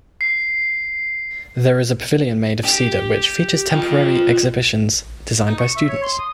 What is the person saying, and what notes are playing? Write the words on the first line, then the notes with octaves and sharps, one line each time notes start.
There is a pavilion made of cedar which features temporary exhibitions designed by students.
C7
G4
F4 G5
D#4
C#6
E5
C#5
C6
D#6